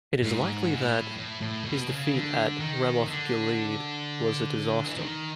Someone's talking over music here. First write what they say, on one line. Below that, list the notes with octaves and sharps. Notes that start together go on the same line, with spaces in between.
It is likely that his defeat at Ramoth-Gilead was a disaster.
G#2
A2
A2
A2
B2
C#3
D3
D#3
D3
E3
D#3